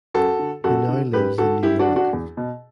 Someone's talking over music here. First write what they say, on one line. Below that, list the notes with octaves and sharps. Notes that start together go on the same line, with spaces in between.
He now lives in New York.
F#2 F#4 A4
D3
F#2 F#4 A4
D3
F#2 G4 B4
D3 F#4 A4
F#2 E4 G4
D4 F#4
D3
D4 F#4
E2
B2